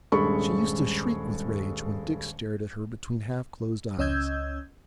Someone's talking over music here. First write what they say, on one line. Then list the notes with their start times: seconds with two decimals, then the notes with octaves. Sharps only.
She used to shriek with rage when Dick stared at her between half-closed eyes.
0.12 D#1 G2 G#3 A4 B5 C#6
3.98 C#2 C#4 D#5 E6 G6 G#6